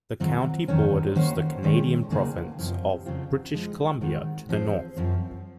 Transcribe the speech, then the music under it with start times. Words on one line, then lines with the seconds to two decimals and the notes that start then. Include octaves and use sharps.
The county borders the Canadian province of British Columbia to the north.
0.20 G#2 D#3 F#3 C4 F4
0.68 F2 D#3 F#3 C#4
1.15 D#3 A#3 C#4 F#4 C5
1.63 D#3 G#3 C#4
2.11 C#3 F#3 A#3 D#4 G#4
2.59 F#2 C#3 F3 C4 F4
3.06 F2 C#3 F#3 C4 F4
3.54 F3 G#3 D#4
4.01 G#2 D#3 G#3 C4 F#4
4.49 F3 C4 F4 G#4 C5
4.96 F#2 F3 C4